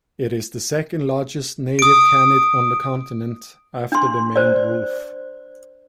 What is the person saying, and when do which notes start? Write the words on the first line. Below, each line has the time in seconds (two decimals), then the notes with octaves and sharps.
It is the second largest native canid on the continent, after the maned wolf.
1.79 D#6 D7
3.92 D4 C6
4.36 C5 D5